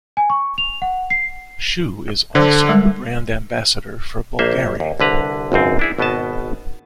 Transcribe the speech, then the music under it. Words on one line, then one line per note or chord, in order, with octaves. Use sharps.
Shu is also the brand Ambassador for Bulgari.
G#5
C#6
F7
F#5
C7
D3 A4 C5
G3 G#3 A#4
A#1 A#3 C5 E5
D#2
C2 D3 B4 A#5
G#1 C#2 F#2 C4
D4 E4 G#4
G#1 B2 B3 D#5 A5